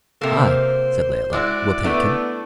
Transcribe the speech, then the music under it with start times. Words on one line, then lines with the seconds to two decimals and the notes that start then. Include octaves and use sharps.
"I," said Layelah, "will take him."
0.21 C3 A#3 A4
0.36 C5
1.33 G#3 E4 F#4 D5
1.84 A3 B3 D4 E4